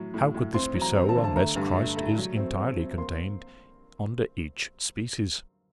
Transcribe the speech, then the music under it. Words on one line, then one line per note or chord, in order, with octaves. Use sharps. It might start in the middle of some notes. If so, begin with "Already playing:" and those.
How could this be so, unless Christ is entirely contained under each species?
Already playing: A2 F#3
A2
A2
C4 C6
F#3
A#5
C4
A5
D3
A5
A3 A#5
G2
A3
A3
F#3
C4
C4
C4
A#3 C6